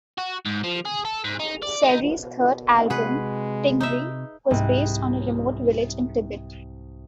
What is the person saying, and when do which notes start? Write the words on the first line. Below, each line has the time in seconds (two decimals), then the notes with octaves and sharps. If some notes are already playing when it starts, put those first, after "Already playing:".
Serrie's third album, "Tingri", was based on a remote village in Tibet.
0.18 F#4
0.46 G#2
0.64 F3
0.85 G#4
1.05 A4
1.24 G#2
1.40 D#4
1.63 D5
1.84 D#4
2.21 B2
2.90 C3 G#3 F#4 G#4 B4 F#5
3.81 D#4 E5
4.51 C2 G#2 C4 F#6